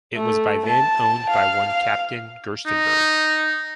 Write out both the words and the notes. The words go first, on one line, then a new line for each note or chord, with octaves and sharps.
It was by then owned by one captain Gerstenberg.
A3
A5
F5
D#4